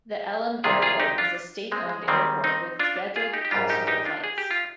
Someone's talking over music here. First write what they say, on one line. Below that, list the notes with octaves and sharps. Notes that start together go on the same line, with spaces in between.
The Elim Airport is a state-owned airport with scheduled passenger flights.
C2 C3 D#3 G#3 F4 G#4
F4 G#4
D#4 G4
D4 F4
G#3 C4
G#3
D#2 D#3 G3 G#3 C4
C4 D#4
D4 F4
F4 G#4
D#4 G4
G4
A#1 G#2 G3 D4 F4
D#4 G4
D#4 G4
D4 F4
G#4
G4
F4